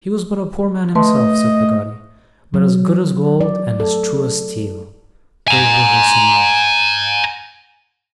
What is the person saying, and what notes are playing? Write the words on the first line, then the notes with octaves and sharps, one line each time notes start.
He was but a poor man himself, said Peggotty, but as good as gold and as true as steel--those were her similes.
A3 B4 D#5 A5 C6
F#3
D5
A4
G#5 A#5